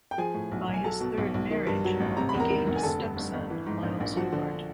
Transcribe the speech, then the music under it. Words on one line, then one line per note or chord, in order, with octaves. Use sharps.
By his third marriage he gained a stepson, Miles Hobart.
G5
F3 G#4 G#5
A2
B1
B1
G#5
F#3 A4 A5
B2
B1
B1
D#3
G2
F#3
A1
C3 A#5
B5
E2
A#4 A#5
D#3
F1
G#5
D3 A4 A5
G2
G1
G1
E3
G#2
A#1
A#1
F3 F#4 F#5
D3